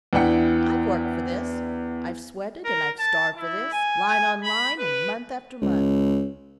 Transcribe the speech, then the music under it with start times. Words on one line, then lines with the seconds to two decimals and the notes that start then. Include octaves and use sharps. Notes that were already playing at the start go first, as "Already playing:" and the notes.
I've worked for this, I've sweated and I've starved for this, line on line and month after month.
0.13 E2 D4 E4 F#5 G5 C#7
2.65 A#4
2.99 A5
3.37 E4
3.73 G#5
4.08 G#5
4.43 B5
4.79 B4
5.62 C#2